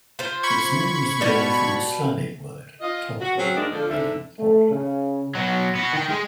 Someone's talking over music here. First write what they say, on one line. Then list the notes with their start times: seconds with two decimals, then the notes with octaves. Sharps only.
Its name is derived from a Slavic word, "topol", meaning "poplar".
0.19 F4 C5
0.43 B5 C#6 G#6
1.21 B2 G3
2.81 F4 D#5
3.21 F#4
3.37 F#3 C4 C#4 G#4
3.56 G#2 G#3 A#3 D4
3.70 F2 D3 F3
3.90 G#2 D3 E5
4.39 A3
4.71 C#3
5.35 B2 F#3
5.75 B3 F#4
5.93 D#3 G5
6.10 G#3 G#4